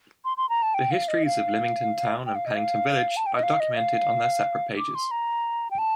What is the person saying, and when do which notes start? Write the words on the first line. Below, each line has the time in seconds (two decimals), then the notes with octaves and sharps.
The histories of Lymington Town and Pennington village are documented on their separate pages.
0.25 C6
0.37 C6
0.49 A#5
0.63 A5
0.74 G5
0.92 F5
1.08 D#5
1.25 F5
2.26 G5
2.35 F5
2.46 D#5
2.55 F5
3.17 A5
3.26 G5
3.35 D#5
3.43 F5
3.60 D#5
3.77 F5
4.78 D6
4.95 C6
5.11 A#5
5.71 G5
5.78 A5